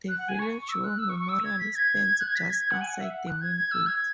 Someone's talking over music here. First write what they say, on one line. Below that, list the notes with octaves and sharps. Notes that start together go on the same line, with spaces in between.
The village war memorial stands just inside the main gate.
F#6
F#5
G#5
C#6
C#6
E6
F#6
E6
C#6
C#6
E6
G#6
B6
G#6
F#6
G#6
B6
G#6
G#6
F#5
G#5
F#5
E5
F#5
F#6
G#6
G#6
E6
G#6